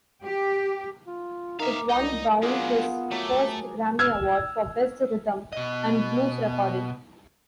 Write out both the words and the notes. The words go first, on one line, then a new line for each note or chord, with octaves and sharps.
It won Brown his first Grammy Award, for Best Rhythm and Blues Recording.
G4
F4
D#4 A#4 E5 F5 D6
C2 D#4
F#3 B3 D4 F4 G#4 F5
F#3 A3 D6
E6 F6 G#6
B2 D#5